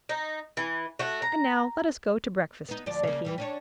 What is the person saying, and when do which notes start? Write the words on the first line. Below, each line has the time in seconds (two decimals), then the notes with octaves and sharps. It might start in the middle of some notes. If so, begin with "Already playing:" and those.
"And now let us go to breakfast," said he.
0.09 D#4
0.57 E3
0.99 A3 F#4
1.22 A#5
2.69 B3 D#4
2.86 D2 F3 D5
3.03 C#3 A#3
3.25 E2 E3 G3
3.38 C#4 D4 C#5